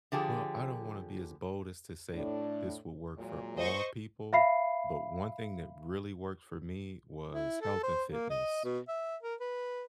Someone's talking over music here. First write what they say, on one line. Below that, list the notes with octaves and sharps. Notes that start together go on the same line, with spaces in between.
Well, I don't wanna be as bold as to say this will work for all people, but one thing that really worked for me was health and fitness.
D3 F3 G4 G#4
A2 D4
A#2 F#3 G#3
C5 D#5 C#6
E5 F5 B5 C7
E4
A4
C5
A#3
D#5
B2
E5
A#4
B4